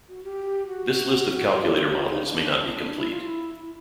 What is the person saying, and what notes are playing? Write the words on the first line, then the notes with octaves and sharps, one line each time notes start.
This list of calculator models may not be complete.
F#4
G4
F#4
F#4
F4
E4
F4
F4
D#4
D4
D4
E4
F4
E4